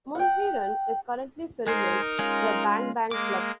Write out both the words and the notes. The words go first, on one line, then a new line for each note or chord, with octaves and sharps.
Mulheron is currently filming "The Bang Bang Club".
F#5 G5
G#3 D#4 G#4 A#4 C5
G#3 C#4 F4
G#3 A#3 D6